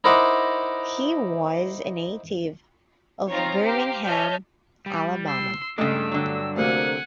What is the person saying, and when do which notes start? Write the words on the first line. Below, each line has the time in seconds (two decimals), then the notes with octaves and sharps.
He was a native of Birmingham, Alabama.
0.04 D#4 E4 A#4 C5 F#5 D6
3.30 C4 D#4 F4 C#5 F5 A#5
3.64 G4 C5 F5 A#5
4.03 C#5 D#5 E5 A5 F6 G6
4.86 G3
5.27 C6 E6
5.78 G2 C#3 G#3 A3 D4 E6
6.12 D3 F#3
6.56 D2 C3 A#3 F#5 G#5